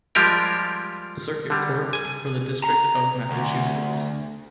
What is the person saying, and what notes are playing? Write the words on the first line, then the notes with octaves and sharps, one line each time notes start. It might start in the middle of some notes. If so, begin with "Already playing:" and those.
Circuit Court for the District of Massachusetts.
F3 G3 G#3 F4 G4 A#4
D3 G3
G#5
A#5
D2